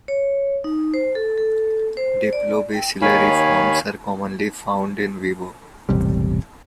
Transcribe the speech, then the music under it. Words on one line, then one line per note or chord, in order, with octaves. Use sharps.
Diplobacillary forms are commonly found "in vivo".
C#5
D#4
C5
A4
A4
C5
D5
G5
D#2 D#3 C#5 F5 G#5 B5
E1 A1 C3 G3